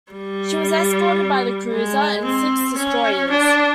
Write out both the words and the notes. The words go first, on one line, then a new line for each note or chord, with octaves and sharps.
She was escorted by the cruiser and six destroyers.
G3
G#3
C4
C#4
D4